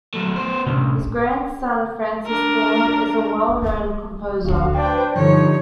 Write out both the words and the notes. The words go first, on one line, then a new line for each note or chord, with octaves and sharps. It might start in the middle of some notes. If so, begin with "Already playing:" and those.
His grandson, Francis Thorne, is a well known composer.
F#3 A3
B3 C5
C2 A2 C#4 D4
D4 A#4
D2 F#4 F5
D4 B4 C5 G5
G2 D3 F3 D#4 C#5